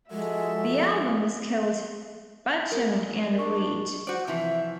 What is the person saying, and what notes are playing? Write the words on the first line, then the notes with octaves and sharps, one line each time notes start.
The album was called "Betjeman and Read".
F3 G#3 F#4 A4 E5
G#3 A#4
D4 C#6
F#4 C5 D5
C3 E3 F3 E5